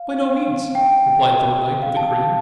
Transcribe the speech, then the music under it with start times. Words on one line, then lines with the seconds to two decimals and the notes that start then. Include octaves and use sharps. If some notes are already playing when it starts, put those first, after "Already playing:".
"By no means," replied Thorndyke, with a grin.
Already playing: F5
0.75 G5
1.82 F5
1.97 A5